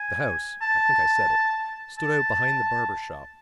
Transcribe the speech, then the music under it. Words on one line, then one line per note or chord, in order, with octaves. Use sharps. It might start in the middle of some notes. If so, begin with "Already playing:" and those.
The house,--I think I said it,--stood out behind the barber shop.
Already playing: G#5
A5
A5